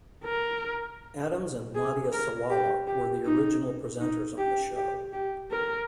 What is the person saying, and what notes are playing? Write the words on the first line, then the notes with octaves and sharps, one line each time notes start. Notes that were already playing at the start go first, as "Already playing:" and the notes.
Adams and Nadia Sawalha were the original presenters on the show.
A#4
G#4
A#4
G4
G4
D#4
D#4
G4
G4
G4
A#4